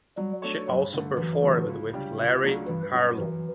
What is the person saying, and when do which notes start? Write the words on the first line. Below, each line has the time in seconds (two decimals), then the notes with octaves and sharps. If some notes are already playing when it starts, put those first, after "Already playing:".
She also performed with Larry Harlow.
0.17 F#3 G3
0.42 A3 D4 A4 C#5
0.68 G2 F#3
0.93 D3 A3
1.18 F#2 E3
1.42 D3 F#3 A3
1.68 C#2
1.93 C#3 G3 D4 G4
2.18 C#2
2.43 C#3 F#3 A3 D4
2.68 G2 E3
2.94 F#3 C#4
3.18 F#2 E3